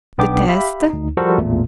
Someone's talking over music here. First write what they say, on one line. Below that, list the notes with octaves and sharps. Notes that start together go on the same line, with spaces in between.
"The test?"
B1 B3 D4 G5 D6
G4 E5 F5 B5
D2 D#4
F3 G3 F#4 A4 A#4 C5
A1 E2 A#2 A3